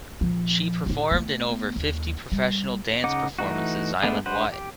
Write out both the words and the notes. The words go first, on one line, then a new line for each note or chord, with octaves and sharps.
She performed in over fifty professional dance performances island wide.
A#2 F3
A2 D#4
A3 B3
D#2
G3
C#3 D#4 D#5 F#5 D6
E3 A3 D#4 F#4
G#3 A3 B3 D4 G#4
G#3 D4 B4 C5 F#5
G4